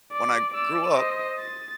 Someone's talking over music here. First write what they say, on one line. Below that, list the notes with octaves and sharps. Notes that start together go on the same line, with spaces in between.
when I grew up,
D5
D5 E6
C5 D#5
A6